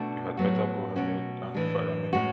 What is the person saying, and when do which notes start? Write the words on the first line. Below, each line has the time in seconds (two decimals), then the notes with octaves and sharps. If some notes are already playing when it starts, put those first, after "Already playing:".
You had better go ahead and fire me.
Already playing: B2 A3 D4 F#4
0.37 A2 F#3 B3 F#4
0.96 B2 F#3 C#4 F#4
1.54 A2 E3 G#3 D4
2.13 A2 G#3 C#4 F#4